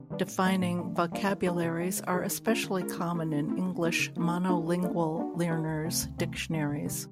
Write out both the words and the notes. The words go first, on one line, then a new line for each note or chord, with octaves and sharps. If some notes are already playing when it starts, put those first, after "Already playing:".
Defining vocabularies are especially common in English monolingual learner's dictionaries.
Already playing: C3 D#3 B3 D4
D#3 G3 B3 D4
A2
F3 A3 D4
A2
F3 A3 D4
E3
G3 A#3 D4 F4
E3
G3 A#3 D4 F4
C3
E3 G#3
C3
E3 G#3
D#3
G#3 C#4 F4 A#4
D#3
G#3 C#4 F4 A#4
E3
A3 C4 E4
E3
A3 C4 E4
C#3
F3 A#3 D#4
C#3
F3 A#3 D#4
F#3
A3 D4 F4
F#3
A3 D4 F4
F3
A#3 D4 F#4
F3
A#3 D4 F#4
D2
C3 E3 A3 C4
D2
C3 E3 A3 C4
C2
C3 D#3 G3
C2
C3 D#3 G3